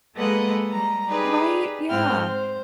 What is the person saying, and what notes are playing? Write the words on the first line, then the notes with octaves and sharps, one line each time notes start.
Right? Yeah,
G#3 A#3 A4 B4 D#5 F#5
G3 A#5
D#4 G4 G#4 B4 D5
G#2 C4 F#5 G5 C6 F6
C5